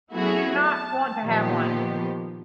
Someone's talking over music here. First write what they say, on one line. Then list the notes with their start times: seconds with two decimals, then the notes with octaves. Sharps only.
We do not want to have one.
0.13 F#3 A3 B3 E4 F#4 G#4
0.60 A5
1.22 A#2 D#3 F3 B3 G4